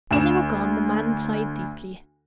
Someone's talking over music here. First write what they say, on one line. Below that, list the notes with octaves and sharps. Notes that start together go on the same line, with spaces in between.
When they were gone, the man sighed deeply.
D2 E7